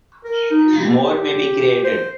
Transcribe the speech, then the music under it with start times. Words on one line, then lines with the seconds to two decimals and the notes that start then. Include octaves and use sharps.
More may be created.
0.25 A#4
0.51 D#4
0.78 G4
1.84 C5